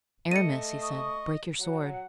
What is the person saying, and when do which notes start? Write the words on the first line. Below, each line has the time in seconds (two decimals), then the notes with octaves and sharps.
"Aramis," he said, "break your sword."
0.31 A3 D#5 C#7 D#7
0.81 C#6 D#6
1.60 F#3 F#5